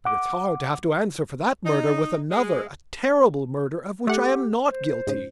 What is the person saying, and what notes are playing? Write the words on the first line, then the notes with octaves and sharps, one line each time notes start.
But it's hard to have to answer for that murder with another, a terrible murder of which I am not guilty....
F#5 D6
D#4
G#3
A3 G4 F#5
C5
G#2 C#3